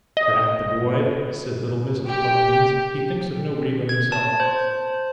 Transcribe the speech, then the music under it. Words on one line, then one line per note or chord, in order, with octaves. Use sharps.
'Drat the boy,' said little Mrs. Cluppins. 'He thinks of nobody but himself.
D#5
G4
G#6
A5
C5